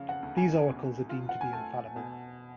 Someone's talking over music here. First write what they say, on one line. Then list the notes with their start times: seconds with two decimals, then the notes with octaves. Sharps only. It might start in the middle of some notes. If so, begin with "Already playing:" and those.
These oracles are deemed to be infallible.
Already playing: C#3 F3 F5
0.09 F#5
0.23 D2
0.37 G#5
0.67 B2
1.09 F4
1.29 F#5
1.41 G#5
1.53 A3 A5
1.96 B2